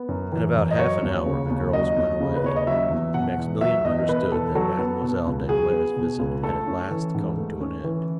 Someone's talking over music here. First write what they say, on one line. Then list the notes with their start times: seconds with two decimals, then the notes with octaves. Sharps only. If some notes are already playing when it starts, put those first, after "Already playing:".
In about half an hour the girls went away, and Maximilian understood that Mademoiselle Danglars' visit had at last come to an end.
Already playing: B3
0.08 F#2
0.32 E3
0.55 F#2
0.71 D#5
0.79 F#3 C#5
1.03 D#2
1.26 C#3
1.50 D#2
1.73 F#3 D#5
1.97 D#2
2.20 C#3
2.36 B4
2.44 D#2 C#5
2.56 D#5
2.67 F#3 E5
2.90 E2
3.14 B2 F#5
3.38 E2
3.61 F#3 E5
3.85 E2 D#5
4.08 B2 B4
4.32 E2 A4
4.55 F#3 A4
4.79 B3
5.02 B2
5.26 C#2
5.49 F#3 G#4
5.73 B3
5.96 B2
6.19 C#2
6.43 A3 A4
6.67 C#4
6.91 E3
7.14 G#2
7.38 A3
7.61 C#4
7.84 E3